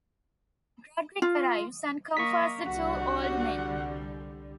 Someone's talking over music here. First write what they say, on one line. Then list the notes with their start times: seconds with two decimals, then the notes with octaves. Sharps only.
Roderick arrives, and comforts the two old men.
1.22 F4
2.17 A#3 D#5 C#6 B6
2.66 C2 D3 G3 F#4 F#5